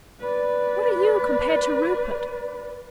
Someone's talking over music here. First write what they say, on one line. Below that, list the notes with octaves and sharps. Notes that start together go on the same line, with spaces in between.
What are you compared to Rupert?
B4 D5